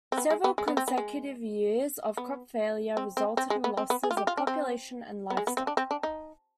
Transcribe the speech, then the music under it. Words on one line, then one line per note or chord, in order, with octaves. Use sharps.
Several consecutive years of crop failure resulted in losses of population and livestock.
C4
B3
G#3
B3
G#3
B3
C4
B3
G#3
B3
C4
C4
C4
G#3
B3
C4
B3
G#4
F4
G4
F4
D4
C4
B3
G#3
B3
C4
D4
C4
D4
D#4